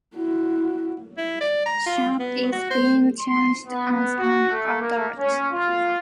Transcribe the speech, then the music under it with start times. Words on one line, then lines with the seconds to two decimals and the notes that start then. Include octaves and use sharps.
Sharpe is being charged as an adult.
0.16 E4 F#4
1.17 E4
1.41 D5
1.66 A#5
1.86 F4
2.19 B3
2.52 F#4
2.70 C5
3.20 C6
3.67 B3
4.17 F#4
4.50 A3
4.80 A#3
5.19 C#4
5.52 F4